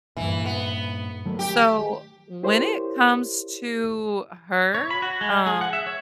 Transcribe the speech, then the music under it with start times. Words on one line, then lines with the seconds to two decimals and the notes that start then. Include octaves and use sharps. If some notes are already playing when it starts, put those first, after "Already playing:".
So, when it comes to her, um,
0.17 G2 A#2 E3
0.45 B3
1.25 D#3 F#3 A3
1.39 G4
2.43 E4 G4 A#4 C5 C#5
4.75 C#5
4.90 B5
5.02 F#4
5.21 G#3
5.47 G#4
5.61 F#5
5.73 E5
5.87 C#5